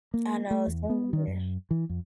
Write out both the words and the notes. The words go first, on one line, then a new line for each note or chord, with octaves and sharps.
I know it's some in there.
A#3
A3
E2
B3
D#3
F#2
E3
F2